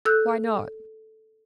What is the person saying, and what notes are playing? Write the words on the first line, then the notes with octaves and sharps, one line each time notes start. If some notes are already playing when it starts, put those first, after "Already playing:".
"Why not?"
A4 E6 F#6 G6